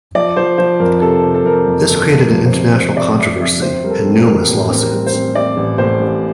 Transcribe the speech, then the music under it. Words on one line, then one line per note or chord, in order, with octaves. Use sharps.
This created an international controversy and numerous lawsuits.
F3 D5
F3 C5
F3 C5
F2 A#4
C3 A4
C3
A4
F2 A#4
F2
G1 A4
F3
A#4
F2
C5
C3
F2 C5
C3 D5
F2 E5
F2 E5
C4 C5
G3 A#4
A4
C4
A#4
A1
A2
C4
A#4
G3
C5
C4
C4 D5
A1
A2 C5
A1